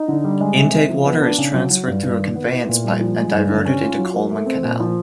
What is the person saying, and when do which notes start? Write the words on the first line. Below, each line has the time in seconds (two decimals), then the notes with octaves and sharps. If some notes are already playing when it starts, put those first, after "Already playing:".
Intake water is transferred through a conveyance pipe and diverted into Coleman Canal.
Already playing: D#4
0.08 D3
0.24 G3
0.41 G#3
0.57 C3
0.73 C3
0.89 F3
1.06 B3
1.22 D4
1.38 C#3
1.54 F#3
1.70 F#3
1.87 G2
2.03 G2
2.19 D#3
2.35 B3
2.52 E4
2.68 A#2
2.84 G3
3.00 F3
3.17 G#3
3.32 G2
3.49 D3
3.65 C#4
3.81 F4
3.98 F#3
4.14 A#3
4.31 A3
4.46 C4
4.63 A#2
4.80 F3